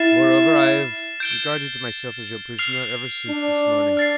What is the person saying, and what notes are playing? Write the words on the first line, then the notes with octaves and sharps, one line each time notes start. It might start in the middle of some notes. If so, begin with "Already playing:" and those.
Moreover, I have regarded myself as your prisoner ever since this morning.
Already playing: E4 F6 A6 C7 E7
G6 D7 G7
F6 C7 F7
D4
F6 A6 C7